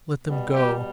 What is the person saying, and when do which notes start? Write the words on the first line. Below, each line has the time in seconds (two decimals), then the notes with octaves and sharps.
Let them go!
0.24 B2 G3
0.52 G4